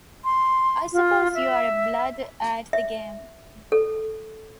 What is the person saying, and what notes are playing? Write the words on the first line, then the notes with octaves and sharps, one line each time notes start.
I suppose you are a blood at the game?
C6
F4
E5
E5
A4